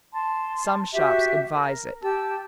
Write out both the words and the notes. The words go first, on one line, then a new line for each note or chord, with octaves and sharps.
Some shops advise it.
A5 C6
F#4 G4 E5
A#4
G4 A5 E6